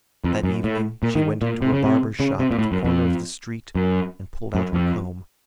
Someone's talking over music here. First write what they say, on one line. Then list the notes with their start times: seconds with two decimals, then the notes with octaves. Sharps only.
That evening she went into a barber's shop at the corner of the street, and pulled out her comb.
0.24 F2
0.43 F#2
0.64 A2
1.03 A#2
1.15 D#3
1.42 A#2
1.62 C3
1.72 C#3
1.84 C3
2.20 C#3
2.39 C3
2.51 A#2
2.59 A2
2.72 F#2
2.85 F2
3.75 F#2
4.55 F#2
4.73 F2